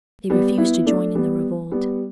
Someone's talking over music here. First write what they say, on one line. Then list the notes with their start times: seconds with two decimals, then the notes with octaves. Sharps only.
They refused to join in the revolt.
0.30 G3 B3
0.58 B3 E4
0.86 A3 D4
1.15 G3 B3
1.71 G3 B3